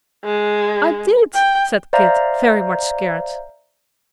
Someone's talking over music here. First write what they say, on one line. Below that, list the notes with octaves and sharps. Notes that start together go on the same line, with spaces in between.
"I did," said Kit, very much scared.
G#3
G5
C5 D5 E5 F5 A#5